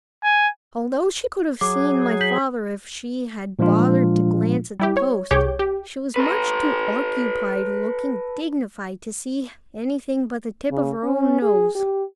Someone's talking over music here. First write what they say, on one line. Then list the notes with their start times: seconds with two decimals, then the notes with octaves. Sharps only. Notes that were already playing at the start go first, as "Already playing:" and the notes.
Although she could have seen my father if she had bothered to glance at the post, she was much too occupied looking dignified to see anything but the tip of her own nose.
0.24 G#5
1.61 F#3 G#4 D6
2.21 G6 B6 F#7
3.59 A#2 F3 G#3 D4 F4
4.80 G3 E4 G4
4.97 C#5
5.31 C2 G4 G#4 C#5 D6 G6
5.59 G4
6.16 A4 B4
10.71 C#3
11.03 C#4
11.42 G#4
11.75 G4